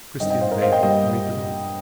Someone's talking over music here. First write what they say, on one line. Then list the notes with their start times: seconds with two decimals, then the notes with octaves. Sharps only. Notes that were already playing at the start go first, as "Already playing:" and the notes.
Christian Weber hurried them off.
0.20 G2 D#3 C4 D#5 G5
0.30 D#5 G5
0.41 C5 F5
0.51 A#4 D#5
0.61 C5 F5
0.72 D#5 G5
0.83 G2 G3 A#3 D#5 G5